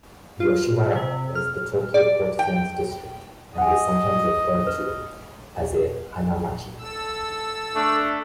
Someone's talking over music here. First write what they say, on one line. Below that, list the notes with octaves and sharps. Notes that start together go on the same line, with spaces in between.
Yoshiwara was the Tokyo courtesans' district and is sometimes referred to as a "hanamachi".
F4
C3
F6
D5
G5
D#5 F#5 G#5
B4
A4 E6
A3 D4